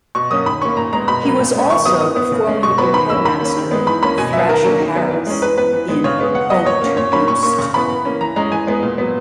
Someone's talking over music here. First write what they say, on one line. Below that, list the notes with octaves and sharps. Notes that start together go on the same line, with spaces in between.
He was also the formidable headmaster "Thrasher" Harris in "Home To Roost".
B2 C#6
F#3 A#3 C#4 D#6
D#3 B5
A#3 C#4 C#6
A#2 A#5
G#3 B3 A#5
B2 B5
F#3 A#3
A#2
G#3 C#4
D#3 C#6
F#3 B3 D#6
E3 D#6
B3
C#3
G#3 C#4
B2 C#6
F#3 B3 B5
D#3 B5
A#3 C#4 E6
D#3 B5
A#3 C#4
D#3
G#3 B3
E3 B5
A#3 C#4 B5
B2 G#5
F#3 B3 E5
D#3 A#4
F#3 A#3 C#4
D#3
F#3 B3
E3
G#3 C#4
E3 B4
B3 B4
E3
G#3 B3
C#3 C#5
G#3 B3
C#3 F#5
F#3 B3 D#5
A#2 C#5
A#3 C#4
A#2 C#5
F#3 A#3 C#4 B5
A#2 C#6
A#3 C#4 C#6
C#3 C#6
E3 B3 B5
E3
A#3 C#4
E3 A#5
G#3 C#4 A#5
E3 G#5
G#3 B3
A#2
F#3 B3